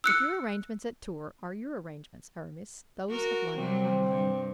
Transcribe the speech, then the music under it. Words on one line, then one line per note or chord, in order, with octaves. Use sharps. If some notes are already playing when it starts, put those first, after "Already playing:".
If your arrangements at Tours are your arrangements, Aramis, those of London are mine.
E6 F#6 C#7
F#4 A#4
C3 F#3 G3 C4
G2